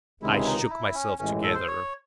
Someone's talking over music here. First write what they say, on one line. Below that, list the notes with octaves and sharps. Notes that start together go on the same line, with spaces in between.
I shook myself together.
C#2 C3 D#3 G#3 E4
D#4
E4
C#4
A1 A2 E3 G#3 C#4
A4
C5
C#5